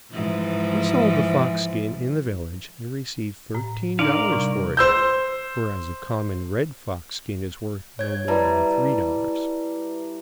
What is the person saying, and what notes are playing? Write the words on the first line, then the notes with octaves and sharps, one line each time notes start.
We sold the fox-skin in the village, and received thirteen dollars for it, whereas a common red fox-skin is worth no more than three dollars.
G#2 E3 F3
A2
D4 D#4 A#4 D5 F5
C3 G3
C5 E6 G6
C#5 G#6
G3 E4 B4 E5 A5 A#5